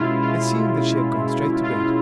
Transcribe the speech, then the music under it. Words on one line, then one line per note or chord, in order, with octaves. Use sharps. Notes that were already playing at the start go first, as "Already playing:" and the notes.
It seemed that she had gone straight to bed.
Already playing: B2 G#3 C#4 E4 F4
F4
F4
F4